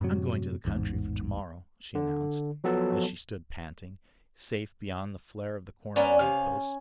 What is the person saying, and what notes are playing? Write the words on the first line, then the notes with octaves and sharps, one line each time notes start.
"I'm going to the country for to-morrow," she announced, as she stood panting, safe beyond the flare of the corner lamp-post.
F#2 A2 C3 F#3
A1 E2 G#2
D3
F3 F#3 B3 A4 A5
B3 C#4 D4 A#5
C3 F5